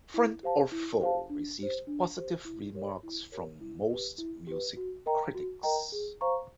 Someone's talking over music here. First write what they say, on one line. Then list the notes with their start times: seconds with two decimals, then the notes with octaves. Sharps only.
"Friend or Foe" received positive remarks from most music critics.
0.14 E4
0.43 G4 C5 F5 A5
0.72 E4
1.01 G4 C5 F5 A5
1.30 D4
1.59 G4 C5
1.87 D4
2.17 G4 C5
2.45 E4
2.75 G4 A#4 C#5
3.03 E4
3.32 G4 A#4 C#5
3.60 E4
3.90 G4 B4
4.18 E4
4.47 G4 B4
4.77 F#4
5.06 A#4 D#5 G5 A#5
5.34 F#4
5.63 A#4 D#5 G5 A#5
5.92 G#4
6.21 C5 F5 A#5 C#6